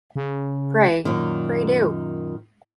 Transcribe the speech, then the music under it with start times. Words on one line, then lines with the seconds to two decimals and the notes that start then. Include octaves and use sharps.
Pray, pray do.
0.16 C#3
1.05 F#2 A#2 D#3